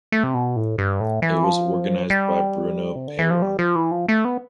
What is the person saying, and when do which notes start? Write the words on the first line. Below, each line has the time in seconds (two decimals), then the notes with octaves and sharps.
It was organized by Bruno Peyron.
0.12 A3
0.24 C3
0.34 B2
0.56 A2
0.78 G2
1.00 A2
1.22 E3
1.44 F3
2.10 G3
2.96 C3
3.08 D3
3.19 E3
3.30 F3
3.42 G3
3.59 F3
3.75 E3
3.91 F3
4.08 A3
4.25 B3